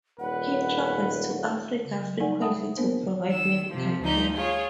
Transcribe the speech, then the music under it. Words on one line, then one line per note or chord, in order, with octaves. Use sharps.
He travels to Africa frequently to provide medical care.
D#1 B4 F#5
C#3
F#3
G3 A#3 D#4 D5 F#5 G#5
E5 F#5 G5 A5 B5 D#6
A#3 B3 D4 A#4 C5
D#3 E6
C3 F3
D2 F3 D#4 G6
F4 G#4 C#5